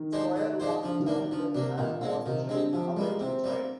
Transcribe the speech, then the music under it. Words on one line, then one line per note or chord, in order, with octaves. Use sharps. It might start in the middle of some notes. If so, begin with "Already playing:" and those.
Squier was turned in and was jailed awaiting trial.
Already playing: D#3
G#3 D4 G4 C5
D3
G#3 D4 G4 C5
D3 F3
D#3
A#3 D4
D#3
D3 F3
C3 A#3 D4
A#2 D#3
A#2 G#3 C4
C3 D#3
D3 G#3 C4
C3 F3
G3 G#3 A#3
C3 C4
G3 A#3